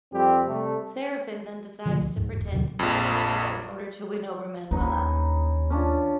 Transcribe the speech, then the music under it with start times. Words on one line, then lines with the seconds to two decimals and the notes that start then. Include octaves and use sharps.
Serafin then decides to pretend to be Macoco in order to win over Manuela.
0.12 F2 G3 C4 G4
0.47 C3 G3 A3
1.85 B2 D3 F3 A3
2.00 C#2
2.16 G#2
2.31 E1
2.52 D#2 B2 D3 F#3
2.79 A#1 F2
4.71 D#2 C#4 D#4 B4
5.70 C#4 D4 F4